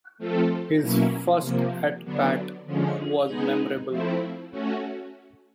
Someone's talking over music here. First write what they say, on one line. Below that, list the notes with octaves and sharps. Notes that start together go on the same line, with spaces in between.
His first at-bat was memorable.
F3 A3 C4 F4 A4
B2 F#3 A#3 C#4 E4
C3 F3 A#3
D3 F#3 B3 D4
D3 F3 G#3 C#4
G#3 B3 D#4 G#4
F3 A3 C4 E4
A3 C#4 F#4